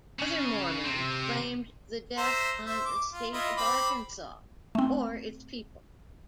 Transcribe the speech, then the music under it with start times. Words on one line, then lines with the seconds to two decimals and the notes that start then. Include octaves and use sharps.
Other Mormons blamed the death on the state of Arkansas, or its people.
0.19 C#3
0.84 C3 C4
2.17 C5 E5 A#5
2.66 C5 E5
2.85 D6
3.13 F4
3.33 E4 F4 D#5
3.57 C4 B5 D6
4.75 A3 C4